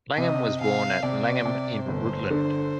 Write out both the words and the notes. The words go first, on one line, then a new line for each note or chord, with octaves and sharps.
Langham was born at Langham in Rutland.
C3 D#5
C3 F5
C3 D5
C3
G1 C5
D3